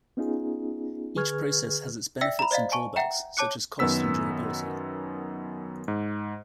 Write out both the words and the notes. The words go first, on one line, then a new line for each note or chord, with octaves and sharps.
Each process has its benefits and drawbacks such as cost and durability.
B3 C#4 D#4 F4 G#4
D3 G#4 B4 C#6 F6 G#6
D5 E5 G5 E6 A#6 B6
A#5 B5
C5 D5 D#5 F5
G#5 A5 C#6
E5 F#5 G5 A#5
C#5 A5 D6 F#6 C#7
F#2 D#3 B3 E6 B6
G#2